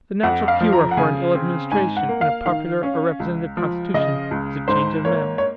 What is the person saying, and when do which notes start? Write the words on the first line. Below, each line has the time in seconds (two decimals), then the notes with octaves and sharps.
The natural cure for an ill-administration, in a popular or representative constitution, is a change of men.
0.23 F2 F#5
0.48 F5
0.60 F3
0.73 A#5
0.91 F#5
0.97 C#3 G#5
1.34 C4
1.72 G#2 G#5
1.97 F#5
2.09 A#3
2.21 F5
2.46 D#3 F5
2.83 C#4
3.20 C#2
3.57 F3
3.94 C#3 D#5
4.31 C#2
4.68 G#2 C5
5.05 A#3 C#5
5.38 C#5